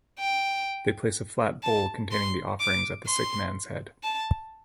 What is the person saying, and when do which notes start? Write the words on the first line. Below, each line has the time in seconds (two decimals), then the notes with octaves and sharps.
They place a flat bowl containing the offerings at the sick man's head.
0.19 G5
1.63 A5
2.11 C6
2.60 D6
3.07 C6
4.04 A5